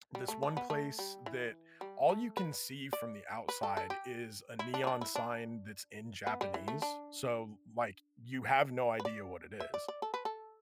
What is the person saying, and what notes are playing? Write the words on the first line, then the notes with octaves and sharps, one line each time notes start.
this one place that all you can see from the outside is a neon sign that's in Japanese, so, like, you have no idea what it is,
G3
A3
D4
B3
A3
G3
E3
G3
A3
B4
D5
B4
A4
A4
G4
E4
D4
E4
D4
E4
D4
B3
G3
E3
A3
D4
B4
D5
E5
D5
D5
A4
B4
A4